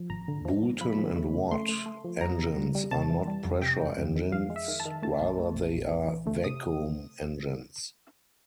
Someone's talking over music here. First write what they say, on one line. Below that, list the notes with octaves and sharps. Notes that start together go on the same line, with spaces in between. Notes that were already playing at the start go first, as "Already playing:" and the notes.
Boulton and Watt engines are not pressure engines, rather they are vacuum engines.
Already playing: F3
G#1 A#5
D3
F3
G2
F3 B5
F3
A3
C#3
A3 C6
A3
A3
F3
F2 A#5
C3
G3
G3
C3 A5
E3
G3
F2
C3 G5
G#3
F2
D#3
F2 F5
G#3
E5
D#3
A5
D#3
A3 A5
A#1
A3
A#1
A#1
E3
E3
A3
C3 D#6